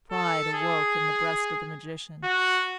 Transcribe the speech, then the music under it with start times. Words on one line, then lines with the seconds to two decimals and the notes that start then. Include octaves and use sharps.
Pride awoke in the breast of the magician.
0.11 A4
0.54 G#4
2.24 F#4